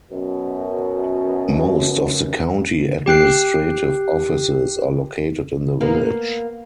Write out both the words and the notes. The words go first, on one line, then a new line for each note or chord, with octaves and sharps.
Most of the county administrative offices are located in the village.
F#2 B2
G4 G5 F#6 C7
A#3 B3